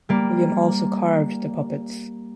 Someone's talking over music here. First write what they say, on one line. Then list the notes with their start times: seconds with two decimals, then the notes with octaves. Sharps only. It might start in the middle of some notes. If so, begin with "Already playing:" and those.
William also carved the puppets.
0.09 G3 A#3